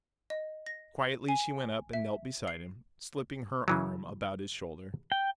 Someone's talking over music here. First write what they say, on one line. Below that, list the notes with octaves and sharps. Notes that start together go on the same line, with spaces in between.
Quietly she went up and knelt beside him, slipping her arm about his shoulder.
D#5
A#6
G#5
E5
C7
C#3 E3 F#3
G5